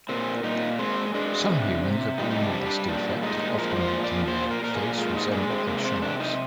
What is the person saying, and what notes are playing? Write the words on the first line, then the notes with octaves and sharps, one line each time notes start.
Some humans are born with this defect, often making their face resemble a shark's.
A#2 C4
A#2 D#4
G#3 C4
G#3 D4
C3
C3
G3 D#4
D#4
D4
G3
D4
A#2 D4
G#3 D#4
F3 A#4
D5
C5
A#2
D5
A#2 C5
A#4
A#2 A#4
G#4
G#3 F4
D#4
G#3 D4
C4
C3 A#3
C4
C3 D4
D#4